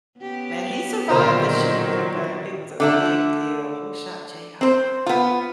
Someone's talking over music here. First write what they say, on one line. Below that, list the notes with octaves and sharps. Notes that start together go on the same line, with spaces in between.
Man, he survived the shooting, but it was a big deal. "Who shot J.R.?"
B3 C#4 G4
A#2 D3 D#3 F#3 F4 A#4 C5
D3 A3 D4
C4 C5
B3 F4